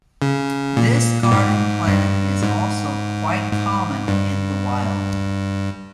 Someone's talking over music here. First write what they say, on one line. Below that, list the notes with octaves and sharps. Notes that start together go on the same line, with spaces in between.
This garden plant is also quite common in the wild.
C#3
A#2
A#2
G#2
G2
G#2
G#2
G2